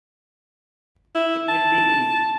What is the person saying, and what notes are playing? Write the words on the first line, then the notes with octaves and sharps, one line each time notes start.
It will be ill.
E4
A5